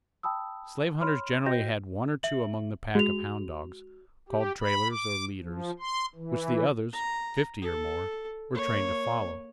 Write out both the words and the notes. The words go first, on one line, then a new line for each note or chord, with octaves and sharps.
Slave hunters generally had one or two among the pack of hound dogs, called trailers or leaders, which the others, fifty or more, were trained to follow.
G5 A5 B5 D#6 E6
C#5 B5 C6 F6
F#4 C5 D#5 G5 G6 A#6
E5 F#7
G#3 F#4 F7
G4
B5
D6
F3
C6
E3
A#5
A4
A#3 C#5